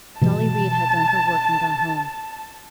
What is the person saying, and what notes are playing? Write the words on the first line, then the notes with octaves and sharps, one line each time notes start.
Dolly Reid had done her work and gone home.
B2 E3 G#3 A5